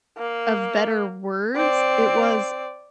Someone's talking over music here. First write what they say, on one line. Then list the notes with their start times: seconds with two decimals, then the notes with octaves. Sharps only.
of better words, it was
0.18 A#3
1.56 C4 D5